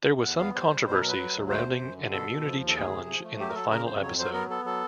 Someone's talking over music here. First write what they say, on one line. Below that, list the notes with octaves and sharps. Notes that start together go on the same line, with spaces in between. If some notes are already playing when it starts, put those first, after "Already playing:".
There was some controversy surrounding an immunity challenge in the final episode.
E2 F#5
B3 F5
G3 C5
G3
B2 C5
B4
F#3 A#4
B4
F#3
D2
A3 C5
C3
F#2
D3
B2 A4
B2
F3
D#2
A4
D2 G#4
C3
F3
A3
F#3 G4
A#4
F#3 A4
C#3 A#4
F2 C5
F#3 C#5
F#3 C5
B3 A#4
B3 A4
F#3 A4